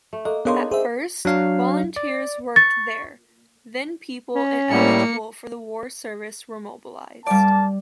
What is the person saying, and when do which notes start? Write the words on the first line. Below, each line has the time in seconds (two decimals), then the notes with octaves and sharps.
At first, volunteers worked there-then people ineligible for the war service were mobilized.
0.13 A3
0.25 A#3 A4 D#5
0.45 B3 D4 D#4 G#4 A#4 C#5 F5 C6
0.71 C4 G#4 E5
1.25 F#3 D4 F5
1.96 D5
2.56 C#6 A6
4.35 C#4
4.70 A2 G3 A#3 C#7
7.26 G3 A#3 D5 A5